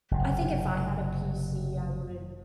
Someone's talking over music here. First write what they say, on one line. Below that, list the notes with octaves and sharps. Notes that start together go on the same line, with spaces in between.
I think if I had a PC, I would
F#1 C3